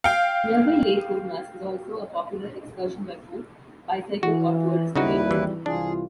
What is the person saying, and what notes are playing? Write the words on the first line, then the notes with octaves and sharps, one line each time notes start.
Nearby Lake Kournas is also a popular excursion by foot, bicycle or tourist 'train'.
F5 G5
E3 F#4
G#1 D#2 C#3 G3 D#4 E4 F#4 B4
E3
C2 E3 D4 F4 G#4